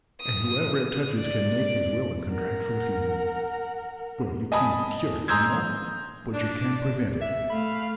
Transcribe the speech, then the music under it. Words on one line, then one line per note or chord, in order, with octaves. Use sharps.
And whoever it touches can make his will and contract for the funeral. Well you can't cure it, you know, but you can prevent it.
D#6
D5
A#4 F#5
D#5 G#5 A5 B5 D#6
A#5 C6 D#6 E6 G6 G#6
D4
E5
A3 F5 B5